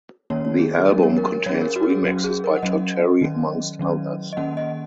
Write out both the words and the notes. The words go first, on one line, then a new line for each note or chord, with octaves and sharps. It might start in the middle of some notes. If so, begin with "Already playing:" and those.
The album contains remixes by Todd Terry amongst others.
D#3 A#3 C#4 C#5
C#5
G#4
G#4
F#3 C#4 A#4
C#5
A#4
A#4
F#3 C#4 C#5
G#4
A#4
F#4
A#4
G#4
F#3 C#4 F#4
G#4
A#4
F#5
F#3 C#4 D#5
D#3 F#3 C#4
D#3 F#3 C#4
D#5
D#3 A#3 C#4 F#5
D#5